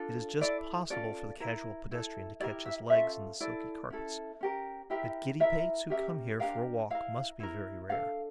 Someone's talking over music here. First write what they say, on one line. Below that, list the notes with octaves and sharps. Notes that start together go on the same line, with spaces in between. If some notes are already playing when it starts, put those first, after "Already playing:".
It is just possible for the casual pedestrian to catch his legs in the silky carpets; but giddy-pates who come here for a walk must be very rare.
Already playing: D4 F4 A4
E4 A4 D5
C#4 F4 A4 D5
E4 A#4
E4 A4
E4 G4 A#4 D5
E5
C#4 F4 A4 E5
E4 A4 D5
C#4 E4 A4
C#4 G4 A#4
E4 G4 A#4 E5
E4 A#4 E5
C#4 G4 A#4 E5
D4 G4 A#4 F5
E4 A#4 F5
E4 A#4
D4 A4 F5